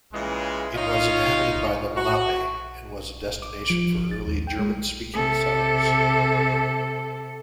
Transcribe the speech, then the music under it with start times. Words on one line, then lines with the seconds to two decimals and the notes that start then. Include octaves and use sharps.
It was inhabited by the Lenape and was a destination for early German-speaking settlers.
0.13 A#2 C#3 E3 G#3
0.75 D#4 F4 C#5 D#5 F5
1.96 F#4
3.42 D6
3.70 F3
3.96 G1
4.11 A6
4.25 D#2
4.47 G5
4.59 G#3
5.14 C3 A4